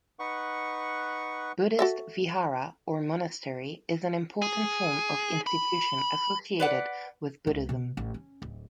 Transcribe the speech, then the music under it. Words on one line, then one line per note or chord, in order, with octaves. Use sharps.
Buddhist Vihara or monastery is an important form of institution associated with Buddhism.
D#4 B4 F#5 C#6
F#4 A4 E5
G#4
B5
B4 D5 F#5
C#2
B2
A1
C#4
D1